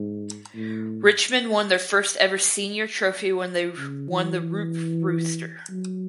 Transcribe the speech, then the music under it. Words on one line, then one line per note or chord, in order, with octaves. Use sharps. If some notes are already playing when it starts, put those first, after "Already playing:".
Richmond won their first ever senior trophy when they won the Roope Rooster.
Already playing: G#2
A2
C#3
E3
F#3